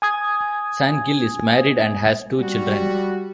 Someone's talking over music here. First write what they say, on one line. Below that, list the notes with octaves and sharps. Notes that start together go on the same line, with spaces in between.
San Gil is married and has two children.
G#5 D#6 G#6
G3 F#4